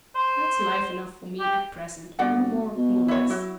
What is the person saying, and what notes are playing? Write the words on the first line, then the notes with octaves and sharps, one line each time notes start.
That's life enough for me at present--no more, no less.
C5
G4
G1 F#4 D5 F#5
B2
E4 C#5
F#3 E4 F#4